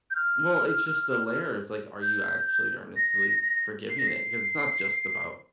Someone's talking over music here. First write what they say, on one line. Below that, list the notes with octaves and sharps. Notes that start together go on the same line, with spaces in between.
Well, it's just the layer, It's like, are you actually earnestly forgiving it? 'Cause it's not just about,
G6
F6
G6
A#6
C7
A#6
C7